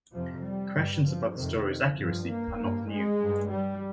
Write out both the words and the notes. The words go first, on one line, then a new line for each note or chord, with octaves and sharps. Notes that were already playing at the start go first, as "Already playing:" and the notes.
Questions about the story's accuracy are not new.
F2 C3 F3
G3
G2
F3
F2 C3 D#3
G2 F3
A#3
G2 A#3
G#3
G2
G3